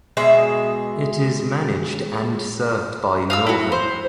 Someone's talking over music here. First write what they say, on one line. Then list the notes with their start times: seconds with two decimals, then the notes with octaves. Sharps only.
It is managed and served by Northern.
0.17 B2 G#3 G#4 E5
3.30 F5 D#6 E6
3.47 E4 F#4
3.72 C5